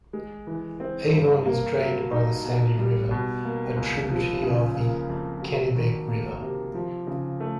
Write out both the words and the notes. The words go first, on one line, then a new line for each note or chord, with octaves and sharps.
Avon is drained by the Sandy River, a tributary of the Kennebec River.
G#3
E3
C4
G2
A#3
F#3
D#4
B2
G3
B2
A#3
C#2
F3
C#3
A#3
F2
F#3
D#3
A#3
C3
F3
C#3
A3